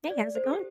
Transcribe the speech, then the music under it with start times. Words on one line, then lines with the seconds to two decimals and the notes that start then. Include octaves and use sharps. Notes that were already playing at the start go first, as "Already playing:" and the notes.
Hey, how's it going?
0.10 D5
0.35 C5
0.44 A4
0.53 G4